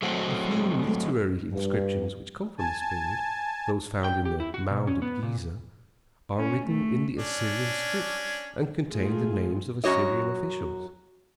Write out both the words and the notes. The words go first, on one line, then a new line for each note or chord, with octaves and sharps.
The few literary inscriptions which come from this period, those found in the mound at Gezer, are written in the Assyrian script and contain the names of Assyrian officials.
F#3 A3 C4 F#4
G2
G#5 A5
G5
G4
E4
F#4
B2
C#4
B3
A#2
C#4
A3
C#4 D4
G#3 A3 F4 G#4
F#2 F#4 C#5 D#5